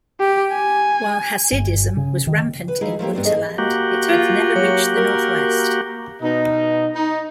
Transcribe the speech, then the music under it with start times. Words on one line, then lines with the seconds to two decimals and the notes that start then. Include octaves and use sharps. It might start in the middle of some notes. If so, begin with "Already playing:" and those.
While hasidism was rampant in Unterland, it had never reached the northwest.
0.20 G4
0.53 G#5
1.52 G1
1.97 C#3
2.27 D#3
2.68 B4
2.81 G#3 D#4 E4 G#4 F5
2.99 F3 A3 A#3 G4
3.13 G2 B3 C4 D4
3.25 D#2 D3 F#3 G#4 A4 D#5
3.58 A#3 F#4 G4
4.09 F4
4.55 F#3
4.97 A#4
6.23 B2 D#4
6.96 D#4